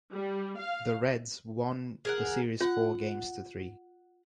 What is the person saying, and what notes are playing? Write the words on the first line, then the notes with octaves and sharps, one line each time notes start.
The Reds won the series four games to three.
G3
F5
G#4 A#4 F#5
F4 F#5